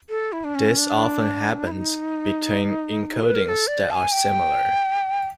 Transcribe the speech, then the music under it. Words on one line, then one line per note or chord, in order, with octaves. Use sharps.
This often happens between encodings that are similar.
A4
E4
D4
C#4
D4
E4
D#4
B4
A#4
A#4
A4
D5
A5
G#5
G5